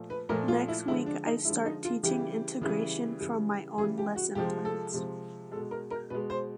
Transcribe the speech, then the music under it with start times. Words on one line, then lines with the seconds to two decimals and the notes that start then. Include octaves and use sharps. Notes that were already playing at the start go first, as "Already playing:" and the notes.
Next week I start teaching integration from my own lesson plans.
Already playing: A#2 F3 A3
0.10 B4
0.29 A#2 F3 A3 A#4
0.48 F4
0.68 E4
0.88 D3 F3 G#3 E4
1.06 D4
1.26 D#4
1.45 D3 F3 G#3 E4
1.65 D#4
1.85 F4
2.03 C#3 E3 G3 G4
2.61 C#3 E3 G3
3.20 C#3 E3 G3
3.77 C#3 E3 G3 G#4
3.98 G4
4.16 F#4
4.35 C3 F3 G#3 G4
4.65 A4
4.94 C3 F3 G#3
5.52 G#3 A4
5.56 B2
5.71 A#4
5.91 A#4
6.10 B2 G#3 B4
6.30 C5